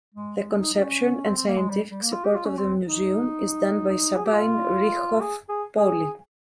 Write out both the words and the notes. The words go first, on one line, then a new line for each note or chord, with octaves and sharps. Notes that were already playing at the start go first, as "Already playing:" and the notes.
The conception and scientific support of the museum is done by Sabine Rieckhoff-Pauli.
G#3
G#3
D#4
D#4
C#4
C4
C4
A#3
G#3
G3
G3
A#3
F4
G4
F4
C#4
C4
D#4
D#4
G#4
G4
F4
G#4
G#4
G#4